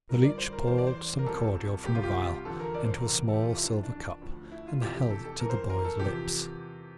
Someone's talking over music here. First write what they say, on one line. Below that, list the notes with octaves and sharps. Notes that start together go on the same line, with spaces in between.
The leech poured some cordial from a vial into a small silver cup and held it to the boy's lips.
G2 D3 F3 A#4
D5
C5
A#4
E2 E3 C5
D5
C5
A#4
C2 C3 F3 A4
C2 C3 F3 G4
F4
G4
E2 D3 F3 A4
A#4
D5
C5
A#4
E2 C3 E3
A4
G4
F4
E4
F2 E3 D4
D4
D2 D3 F3
E4
F4
F2 C3 E3 G4
G4
A4
A4
F2 E3 A#4
C5
A#4
A4
E2 C3 F3 G4